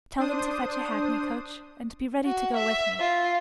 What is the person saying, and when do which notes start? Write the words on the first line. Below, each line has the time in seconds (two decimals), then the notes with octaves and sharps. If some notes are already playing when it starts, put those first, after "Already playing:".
'Tell them to fetch a hackney-coach, and be ready to go with me.
0.19 D4 C5 D#6
2.25 F#4
2.56 E5
3.00 F4